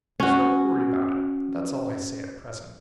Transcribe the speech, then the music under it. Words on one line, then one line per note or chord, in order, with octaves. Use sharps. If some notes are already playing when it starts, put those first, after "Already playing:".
There's no hurry about it; that's all I say at present.
C#4 F#4